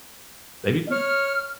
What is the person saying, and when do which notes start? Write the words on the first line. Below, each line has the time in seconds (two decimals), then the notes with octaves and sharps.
maybe not.
0.91 C#5 F6